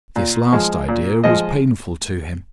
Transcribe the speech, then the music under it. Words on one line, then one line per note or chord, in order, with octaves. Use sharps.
This last idea was painful to him.
A#2
F3 G#3
A#2
F3 G#3 D#5